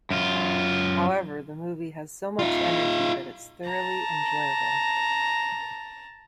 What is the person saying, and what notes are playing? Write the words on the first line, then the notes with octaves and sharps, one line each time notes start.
However, the movie has so much energy that it's thoroughly enjoyable.
F#2 F4
D#4 F4
A5 A#5